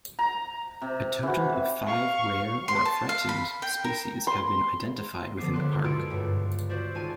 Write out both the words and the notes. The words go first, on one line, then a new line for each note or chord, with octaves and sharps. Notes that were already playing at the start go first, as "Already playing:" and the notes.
A total of five rare or threatened species have been identified within the park.
A#5
C3
E3 F#4
F5 C#6
C6
A5
F5
B5
G5
A#4
C6
D3 F3 B3 E5 D6 C7
C#2 D3 C6 F#6
F#2 B2 E4 F4 A4 D7
C#2 G2
F4 F#4 C5 D5 E5
G#1 F4 G#5 A5 D#7